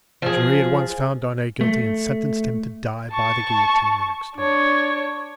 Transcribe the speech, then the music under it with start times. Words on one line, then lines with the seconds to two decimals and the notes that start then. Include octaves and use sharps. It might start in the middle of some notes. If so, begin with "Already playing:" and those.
The jury at once found Darnay guilty and sentenced him to die by the guillotine the next morning.
0.22 F3 G#4
1.61 A3
3.11 A5 C#6
4.37 D4 C#5